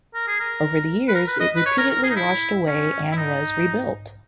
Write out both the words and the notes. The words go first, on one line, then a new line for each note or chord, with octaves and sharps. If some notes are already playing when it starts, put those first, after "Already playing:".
Over the years, it repeatedly washed away and was rebuilt.
A#4
G#4
A#4
B4
A#4
B4
D#5
B4
C#5
A#4
A#4
G#4
D#4
E4
C#4
E4
D#4